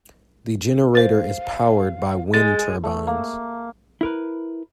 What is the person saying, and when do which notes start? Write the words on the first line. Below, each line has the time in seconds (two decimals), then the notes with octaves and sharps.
The generator is powered by wind turbines.
0.95 C5 F5 A6
2.34 G#3 G#4 A6
2.84 A3
3.07 A#3
4.01 E4 A#4 B4